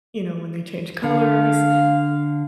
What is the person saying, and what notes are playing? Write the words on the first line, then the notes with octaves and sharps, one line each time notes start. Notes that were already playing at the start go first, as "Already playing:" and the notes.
you know, when they change colors
D3 F5